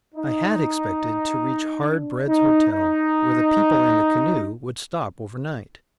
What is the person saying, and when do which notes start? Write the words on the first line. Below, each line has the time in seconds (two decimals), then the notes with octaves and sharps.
I had expected to reach Hard Bread's Hotel, where the people in the canoe would stop overnight.
0.15 D#4
1.86 D4
2.28 D#4
2.71 D#4